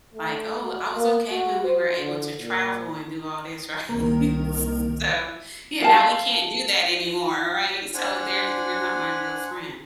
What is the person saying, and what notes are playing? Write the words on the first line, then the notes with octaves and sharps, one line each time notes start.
like, "Oh, I was okay when we were able to travel and do all this." Right. S so yeah, now we can't do that anymore, right? So there you're not my real friend.
A3
F#4
A#3
F#4
C5
D3
A#2
C2 D#3 A#3
F5 A5
D4 C5 F#5 G#5 F6